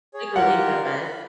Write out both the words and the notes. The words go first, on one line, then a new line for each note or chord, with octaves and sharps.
big relief, I bet.
G#4 C#5
F4 G4 A#4 F#5
F5
B5